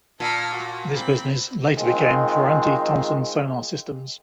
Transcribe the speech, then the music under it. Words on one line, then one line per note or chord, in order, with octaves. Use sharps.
This business later became Ferranti Thomson Sonar Systems.
A#2 A5 F6
F#4
C4 B5
D#3 G#3 C4 F4